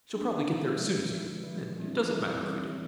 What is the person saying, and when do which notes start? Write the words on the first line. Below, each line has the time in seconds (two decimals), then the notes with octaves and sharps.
"We shall probably get there as soon as you, and it doesn't matter if we don't."
0.13 F#3 A#3 D4
0.46 D3 F3 G#3
0.78 D3 F3 G#3
1.10 D3 F3 G#3
1.43 D3 F3 G#3
1.75 E3 G3 C4 E4
2.08 E3 G3 C4 E4
2.40 E3 G3 C4 E4
2.72 E3